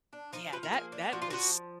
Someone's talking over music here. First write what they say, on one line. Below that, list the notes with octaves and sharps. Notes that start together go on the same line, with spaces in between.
Yeah, that that was
D4
F3 D#4
F3 B4
A#4
A#3 G#4
D4
F3 F#4
F4
F3 F#4